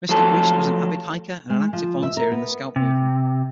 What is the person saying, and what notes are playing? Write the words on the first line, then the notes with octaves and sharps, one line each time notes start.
Mr. Greist was an avid hiker and an active volunteer in the Scout movement.
F3 F#3 A3 A4
G#3
F3
E5
A#4
B3
C3